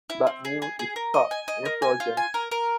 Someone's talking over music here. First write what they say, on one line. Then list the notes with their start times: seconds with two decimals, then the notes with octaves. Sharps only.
But Mew is caught, and frozen.
0.10 E4
0.27 C4
0.45 G#4
0.62 G#4
0.79 G#4
0.96 A#4
1.14 D#5
1.31 G#5
1.48 D#5
1.65 A#4
1.82 G#5
2.00 F4
2.17 G#5
2.34 A#4
2.51 A#4